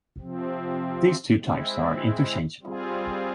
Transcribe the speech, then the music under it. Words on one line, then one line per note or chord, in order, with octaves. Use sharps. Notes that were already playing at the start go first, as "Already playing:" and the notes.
These two types are interchangeable.
C3 F3 C4
G#3 C4 E4
G3 C4 F4 G#4